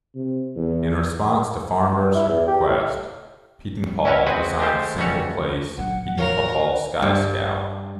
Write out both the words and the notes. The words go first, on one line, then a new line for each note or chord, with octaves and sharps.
In response to Farmer's request, Pietenpol designed the single-place Pietenpol Sky Scout.
C3
E2
G2
E4
E2
G4
A2
C#4 E4 F#4 A#4 B4 C#5
G#3 C4 F#4 B4 G#5
G#3 A3 G4 C5
C#2 G3 A3 C#4 F#4 C#5
A#2 F#3 F#5
A2 F4 F#4 A#4 C#5 F5
G2